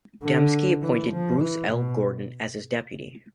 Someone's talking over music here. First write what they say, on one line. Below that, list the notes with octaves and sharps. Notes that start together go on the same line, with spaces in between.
Dembski appointed Bruce L. Gordon as his deputy.
D3
E3
F3
E3
B2